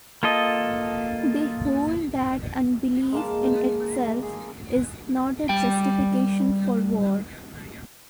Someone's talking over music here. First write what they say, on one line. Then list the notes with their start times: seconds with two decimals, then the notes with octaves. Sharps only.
They hold that unbelief in itself is not a justification for war.
0.23 A#3 F4 A4 D#5
3.13 G#3 A#3 A5
4.23 G#4
5.49 G3 G5